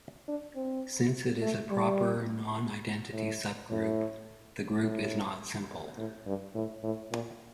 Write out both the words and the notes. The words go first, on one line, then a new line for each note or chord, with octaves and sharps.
Since it is a proper, non-identity subgroup, the group is not simple.
D4
C4
A3
G3
A2
A2
A2
A2
G2
A2
A2
A#2